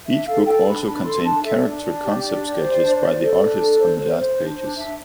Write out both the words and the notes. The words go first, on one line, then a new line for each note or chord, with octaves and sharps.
Each book also contained character concept sketches by the artists on the last pages.
D4 E5
A4 F5
A4 G5
D4 B5
D4 B5
A4 C6
D4 A5
A4 E5
D4 D5
D4
G4
D4
G4
C5
D4
C5
A4
D4
A4
C5
C5
C5
D4
D4
D4 E5